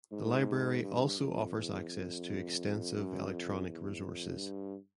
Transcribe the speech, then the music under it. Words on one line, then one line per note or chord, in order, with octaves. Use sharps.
The library also offers access to extensive electronic resources.
G#2
G2
F2
E2
F2
F#2
F2
E2
F2
G2